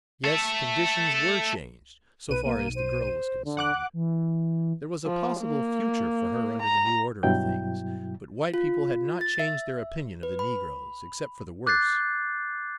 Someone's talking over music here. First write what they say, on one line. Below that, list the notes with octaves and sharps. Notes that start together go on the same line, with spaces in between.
Yes, conditions were changed, so far as the girl was concerned; there was a possible future for her under the new order of things; but white people had not changed their opinion of the negroes, except for the worse.
A4 E5
B1 B4 D#7
A#3
C5
D3
F#5 D6 F#6
E3
F3
A#3
A#5
G2 B2 F#3 E4 G5 G6
F4
A6
E5
B4
B5
D6 F#6 G6 A6 C7